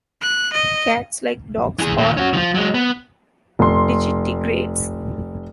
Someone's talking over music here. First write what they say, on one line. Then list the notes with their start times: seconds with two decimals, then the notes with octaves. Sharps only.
Cats, like dogs, are digitigrades.
0.22 F#6
0.53 D#5
1.79 E3 G#4
1.98 D#2 A#2
2.17 C#4 F#4
2.33 D#3 F3
2.54 F#3 G#3
2.74 B3
3.59 F1 C6